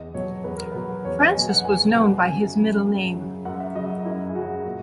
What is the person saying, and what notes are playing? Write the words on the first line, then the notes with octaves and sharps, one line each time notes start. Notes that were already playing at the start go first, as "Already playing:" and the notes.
Francis was known by his middle name.
Already playing: E2 D#5
B2 F#3 C#5
E2 B4
A#4
B2 F#3 B4
E2 C#5
D#5
B2 F#3 G#5
F#5
E2 G#5
B2 F#3 F#5
F#2 G#5
C#3 F#3
F#2
C#3 F#3
F#2 F#5
E5
C#3 F#3 D#5
D#5
F#2 E4
G#4
C#3 F#3 F#4
A#2